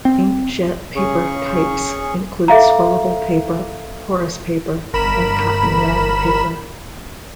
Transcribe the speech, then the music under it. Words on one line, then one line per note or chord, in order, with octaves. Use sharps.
Ink-jet paper types include swellable paper, porous paper, and cotton rag paper.
C4
C#3 C#4 G#4 C#6
A4 E5 F5 A#5
G1 A#4 B5 E7